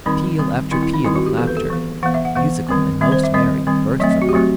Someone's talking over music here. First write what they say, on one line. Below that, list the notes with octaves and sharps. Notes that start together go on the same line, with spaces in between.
Peal after peal of laughter, musical and most merry, burst from her.
D#3 G3 C4 D#4
D#3 G3 C4
D#3 G3 C4 E4
E4
D#4
D#3 G3 C4 E4
F#4
G4
E3 B3 A4
B4
A4
E3 B3
E3 B3 F#5
E5
F#5
E3 B3 F#5
D#3 G3 C4
D#3 G3 C4 E5
C5
E5
D#3 G3 C4 D#5
D#3 G3 C4
F#3 A3 C4 D#5
D#5
F#4
G4
F#3 A3 C4 F#4